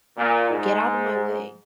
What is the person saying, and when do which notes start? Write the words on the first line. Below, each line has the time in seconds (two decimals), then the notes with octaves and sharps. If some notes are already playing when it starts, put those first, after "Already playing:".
Get out of my way!
0.16 A#2
0.49 G#2